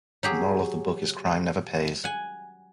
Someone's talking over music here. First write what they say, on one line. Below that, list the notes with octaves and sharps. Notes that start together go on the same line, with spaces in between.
The moral of the book is "Crime never pays".
F#3 G4 G#4
F#5 G#5